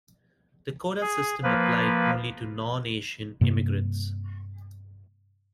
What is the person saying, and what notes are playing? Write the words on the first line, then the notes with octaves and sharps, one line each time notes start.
The quota system applied only to non-Asian immigrants.
G#4
F3 A#3 B4
G2 C3 A#3